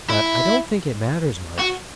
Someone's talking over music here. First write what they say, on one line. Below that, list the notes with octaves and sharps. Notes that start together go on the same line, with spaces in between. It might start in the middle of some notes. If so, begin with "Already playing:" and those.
"But I don't think it matters much."
E4
F#4